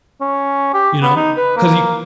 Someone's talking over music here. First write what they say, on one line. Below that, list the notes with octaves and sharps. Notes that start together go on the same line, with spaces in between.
You know? 'Cause you
C#4
G4
B3
D#4
B4
A#3